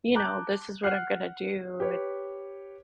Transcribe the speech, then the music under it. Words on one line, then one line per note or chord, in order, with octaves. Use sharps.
you know, "This is what I'm gonna do," and
A5 A#5 D6 F#6 G6
F#5 F6 F#6 C7
G4 B4 C#5